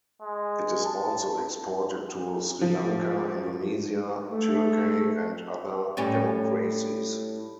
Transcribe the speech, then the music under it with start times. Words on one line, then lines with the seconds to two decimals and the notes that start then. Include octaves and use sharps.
It is also exported to Sri Lanka, Indonesia, Turkey and other democracies.
0.22 G#3
0.85 A5
2.61 F3
4.32 A3
5.97 A2 G3 C#4